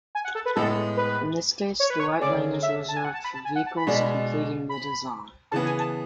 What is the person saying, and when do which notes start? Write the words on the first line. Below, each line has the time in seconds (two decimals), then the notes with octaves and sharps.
In this case, the right lane is reserved for vehicles completing the design.
0.15 G#5
0.25 F#5
0.35 A4
0.46 B4
0.56 A2 G#3 B3 A4
0.97 B4
1.80 C#5
1.90 B4
2.00 C#5
2.21 D3 A3 C#4 G#4 D5
2.62 E5
2.88 A5
2.97 G#5
3.05 F#5
3.14 A5
3.24 B5
3.35 A5
3.45 G#5
3.55 F#5
3.66 A5
3.77 B5
3.87 B2 G#3 D4 G#4
4.69 B5
5.51 C#3 E3 B3 A5
5.65 G#5
5.79 A5